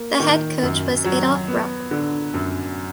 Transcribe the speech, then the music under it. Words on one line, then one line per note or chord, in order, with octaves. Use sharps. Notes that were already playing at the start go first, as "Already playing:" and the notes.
The head coach was Adolph Rupp.
Already playing: A#3
D#3
F#2
F#3
B3
D3
F#2